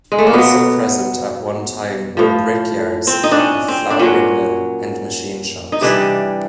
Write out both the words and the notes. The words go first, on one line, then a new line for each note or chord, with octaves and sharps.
Also present at one time were brickyards, a flouring mill, and machine shops.
G#3
A3
A#3
B2 F#3 B3
A2 F3
C4
D#4
D4
C#4
C4
D4
A#2 F#3 C#4
D#4
C3 E3 G3 D4